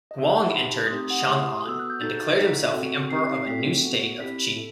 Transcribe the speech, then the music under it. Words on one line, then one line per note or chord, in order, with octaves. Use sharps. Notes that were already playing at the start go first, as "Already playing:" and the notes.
Huang entered Chang'an and declared himself the emperor of a new state of Qi.
D#5
D#4 G4 E5 G5
F#5
A5
B5
D#4 G4 C6
D#6
A3 C4 D#4 G4 C6
D#6
F#5
D#6
A3 E4 G4 C6
D#6
B3 F#4 A4 E6
F#6
G6
D#4 F#4 A4 A6
D#4 F#4 A4 B6
C4 F#4 A4
C4 D#4 G4 C7
C7
A3 C4 F#4 A4 B6
B3 F#4 A4
C4 E4 G4 B6
A4